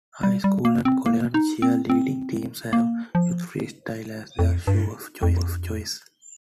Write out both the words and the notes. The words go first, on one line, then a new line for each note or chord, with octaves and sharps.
High school and college cheerleading teams have used Freestyles as their shoe of choice.
G3
G3
A#3
C4
A#3
D#4
C4
C4
A#3
F3
F2
G2
F2